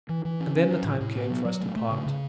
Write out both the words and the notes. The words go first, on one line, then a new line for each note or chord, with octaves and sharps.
And then the time came for us to part.
E3
E3
C#4
C#4
F#3
A2
A2
B3
F#3
F#3
A3
A3
C#3
C#3